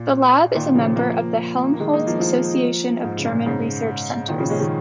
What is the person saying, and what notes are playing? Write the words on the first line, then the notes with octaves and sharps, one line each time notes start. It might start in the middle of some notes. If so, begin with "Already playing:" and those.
The lab is a member of the Helmholtz Association of German Research Centres.
Already playing: A#2
A#2 D#3
C#3 F3
F3 A#3
A#3
D#3 G#3
A#3 D#4
F3 A#3
F3 A#3
G#2
C#3
A#2
G#2 C#3
A#2 D#3
C#3 F3
G#3 C#4
D#3 G#3